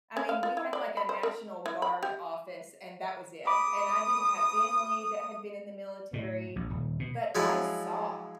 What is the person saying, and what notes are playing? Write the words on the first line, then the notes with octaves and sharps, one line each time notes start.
I mean, we had, like, a national guard office and that was it, and I didn't have family that had been in the military, but I saw
C#4
F5
F4
E4
D5
B5
C5
A#4
E3
B5
G4
B5 D6 D#6
A2
A#1
D#1
B2
F3 F#3 G#3 E4 F4